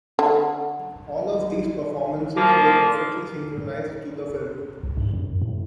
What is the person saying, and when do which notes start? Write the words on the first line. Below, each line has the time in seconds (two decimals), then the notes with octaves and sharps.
All of these performances were perfectly synchronized to the film.
0.19 D3
2.37 F3 A#3
4.83 C2
4.97 G2
5.13 F#2
5.42 A2